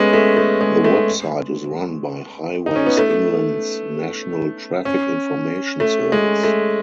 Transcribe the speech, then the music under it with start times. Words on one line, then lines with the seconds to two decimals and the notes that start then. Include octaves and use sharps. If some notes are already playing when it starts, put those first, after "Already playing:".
The website is run by Highways England's National Traffic Information Service.
Already playing: G#3 A3 B3 C#4
0.13 A3
0.37 A3
0.61 G#3
0.84 A3
2.66 D#4
2.76 C#4
2.86 B3
2.97 A3
4.85 C#4
5.80 A3
6.12 G#3
6.44 A3